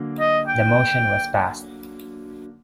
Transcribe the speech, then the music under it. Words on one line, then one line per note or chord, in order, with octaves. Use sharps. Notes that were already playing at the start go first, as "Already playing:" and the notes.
The motion was passed.
Already playing: D3 F#3 A#3
D#5
G5